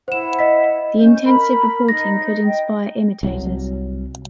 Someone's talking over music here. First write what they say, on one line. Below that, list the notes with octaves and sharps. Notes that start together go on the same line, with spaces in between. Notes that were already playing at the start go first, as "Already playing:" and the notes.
The intensive reporting could inspire imitators.
E4 C5 F#5 E7
D#5 B6
C#4 G6
A#4 B5
D#4 A#6
D#5 G5
C2 F#3